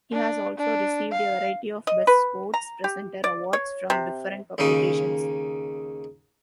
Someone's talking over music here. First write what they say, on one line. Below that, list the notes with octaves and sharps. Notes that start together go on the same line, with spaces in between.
He has also received a variety of best sports presenter awards from different publications.
D4
D4
F5
D#5
B4
A#5
G4
D5
C#5
C3
D#2 C#3 D#4